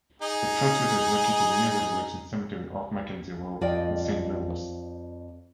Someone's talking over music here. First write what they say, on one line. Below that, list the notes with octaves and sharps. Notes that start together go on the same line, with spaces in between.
The transmitter is located near Resurrection Cemetery off Mackenzie Road in Saint Louis.
D#4 G#4
F2 F4 D5 D#5 G5